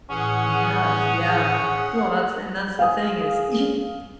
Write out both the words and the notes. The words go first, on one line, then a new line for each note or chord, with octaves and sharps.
Yes, yeah, well, that's and that's the thing is y
A2 E3 C#4 G#4 F#5 C#6
G#4 F5 G#5 D#6